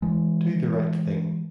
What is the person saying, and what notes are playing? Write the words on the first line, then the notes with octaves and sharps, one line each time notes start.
Do the right thing.
E3 G#3